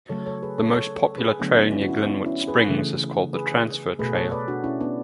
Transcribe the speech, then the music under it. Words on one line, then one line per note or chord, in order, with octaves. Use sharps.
The most popular trail near Glenwood Springs is called the Transfer Trail.
C#3 F#3 A3 A4 C#5
A4 C#5
G#4 B4
A4 C#5
A4 C#5
A4 C#5
G#4 B4
D3 F#3 A3 B3 D4
B3 D4
C#4 E4
F#4
C#4 E4
B3 D4
C#4 E4
G#4 B4
C#3 E3 A3
G#4 B4
B2 A3 G#4 B4
A4 C#5
B4 D5
D4 F#4
C#4 E4
B3 D4